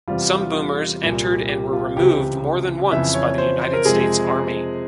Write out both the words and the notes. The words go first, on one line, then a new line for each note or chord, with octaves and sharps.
Some Boomers entered and were removed more than once by the United States Army.
E2 C3 G3 F4
F4
C2 A#2 G3
G4
F4
C#2 C3 E3 G4
F2 C#3 E3 E5
C#5
C5
C5
A#4
F2 C3 F3 G#3 G#4